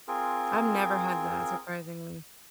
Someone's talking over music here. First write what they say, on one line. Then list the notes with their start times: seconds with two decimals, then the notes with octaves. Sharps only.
I've never had that, surprisingly.
0.08 C4 F4 G#4 A#4